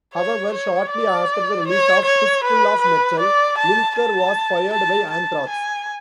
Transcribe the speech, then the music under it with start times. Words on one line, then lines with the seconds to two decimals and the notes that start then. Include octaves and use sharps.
However, shortly after the release of "Fistful of Metal", Lilker was fired by Anthrax.
0.14 C#5
0.52 C#5
0.91 D5
1.68 C#5
2.05 C#5
2.44 B4
2.82 B4
3.20 D5
3.58 A5
3.97 A5
4.73 A5
5.11 A5
5.49 G#5